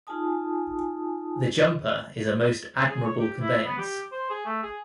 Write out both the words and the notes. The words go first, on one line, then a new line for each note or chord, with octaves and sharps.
The jumper is a most admirable conveyance.
D#4 F4 G#4 G#5 A5 D#6
G#4
C#5
G4
E4
B3
G4
C5
G#4
A3
G#4